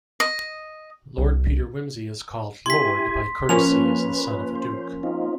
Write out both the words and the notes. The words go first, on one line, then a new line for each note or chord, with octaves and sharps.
Lord Peter Wimsey is called "Lord" by courtesy as the son of a Duke.
D#5
C2
E4 G4 G#5 C6 B6
F3 A#3 C#4 B4 F7
C5
C4 D#4 F4